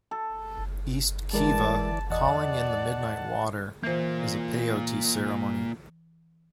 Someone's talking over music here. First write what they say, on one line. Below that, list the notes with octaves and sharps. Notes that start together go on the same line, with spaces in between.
"East Kiva, 'Calling in the Midnight Water" is a Peyote ceremony.
A4
E3 G#3 A#4 D5 A5
E2 D5 D#5 F#5 A5
E3 A#3 F4 C5